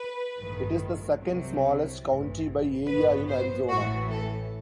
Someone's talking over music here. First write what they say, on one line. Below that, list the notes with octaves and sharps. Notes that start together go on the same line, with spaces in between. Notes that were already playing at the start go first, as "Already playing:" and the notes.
It is the second-smallest county by area in Arizona.
Already playing: B4
A1 G2 D#3
C2 C3 F#3
A1 G2 E3
A1 G2 F#3 B3 B4
C5
A1 A2 E3 F#4
A4